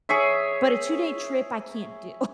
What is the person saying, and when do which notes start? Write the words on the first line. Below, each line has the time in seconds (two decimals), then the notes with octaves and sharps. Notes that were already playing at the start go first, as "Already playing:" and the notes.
but a two-day trip, I can't do.
0.09 G#4 C#5 E5